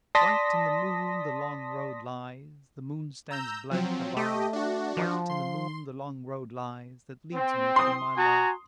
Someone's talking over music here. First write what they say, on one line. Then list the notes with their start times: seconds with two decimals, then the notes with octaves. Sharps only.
White in the moon the long road lies, The moon stands blank above; White in the moon the long road lies That leads me from my love.
0.15 D5 A5 C6 D#6 A#6 B6
3.31 A#5 E6 G6
3.71 F3 F#3 C4
4.17 A3 G4 D#5
4.53 D4 F#4
4.97 F3
5.30 C6
7.34 C4
7.76 C6 D#6
8.16 F#4 G#5 A#5